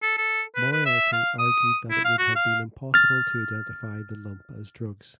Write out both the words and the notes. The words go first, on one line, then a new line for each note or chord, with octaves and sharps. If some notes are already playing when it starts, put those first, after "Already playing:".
Moriarty argued that it would have been impossible to identify the lump as drugs.
A4
A4
B4
B4
E5
F5
D#6
E4
F5
F#4
F5
F6 A6